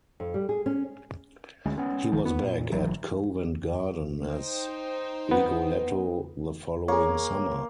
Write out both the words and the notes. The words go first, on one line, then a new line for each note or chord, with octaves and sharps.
He was back at Covent Garden as Rigoletto the following summer.
F2
G3
G#4
C#4
D2 G#3 C#4
B3 C#4
C2 D#3 F3
B3
A#2
G#1 E3 F#3
D#4 C5 G5
B3
A#3 G#4 C#5